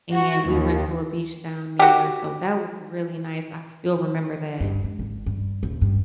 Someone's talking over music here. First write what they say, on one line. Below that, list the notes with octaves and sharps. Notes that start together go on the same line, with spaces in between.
and we went to a beach down there, so that was really nice. I still remember that
F#4
D#2
F#4 G4
G2
G#3
G#1
G2
D#1
G2